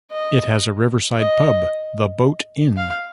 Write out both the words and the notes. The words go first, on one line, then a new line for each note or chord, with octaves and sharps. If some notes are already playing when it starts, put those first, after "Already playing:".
It has a riverside pub, the Boat Inn.
D#5
D#5
F5